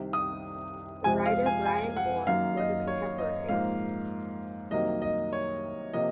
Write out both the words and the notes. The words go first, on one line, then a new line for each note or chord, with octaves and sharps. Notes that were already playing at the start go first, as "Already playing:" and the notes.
The writer Brian Moore was a contemporary.
Already playing: C2 C3 D#3
D#6
C#2 C3 F3 G#3 G#5
F5
G#5
G#5
F#5
F#2 D#3 F#3 A#3 F5
D#5
C#5
D#5
G#2 F3 A#3 F5
C2 C3 D#3 F#3 A#3 D#5
D#5
C#5
C3 F3 A#3 D#5